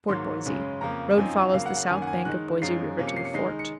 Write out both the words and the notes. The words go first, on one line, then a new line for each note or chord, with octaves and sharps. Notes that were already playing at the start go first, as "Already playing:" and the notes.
Fort Boise.--Road follows the south bank of Boise River to the fort.
G#2 D#3 F#3 A#3 C6
F#2 C#3 G#3 C#4
F2 C#3 F3 A#3 A#5
F#2 F3 C4 D#4 G#5
C#3 F#3 A#3 F5
F#5
F#5
F#2 D#3 A#3 G#5
F#5
G#5
D#3 G#3 D#4 F#6
F#2 F3 G#3 D#4 C7
C3 F3 A#3 C#4
C#7
C7
C#7
D#3 G#3 D#4 C7
C#7